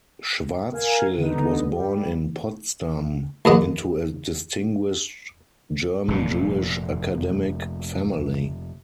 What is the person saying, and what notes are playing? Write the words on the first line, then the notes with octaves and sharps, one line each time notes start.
Schwarzschild was born in Potsdam into a distinguished German Jewish academic family.
A#4 F5 G#5
D3 B3 D#4
G3
A#1 D#2 D#5 F#5
F1 A#2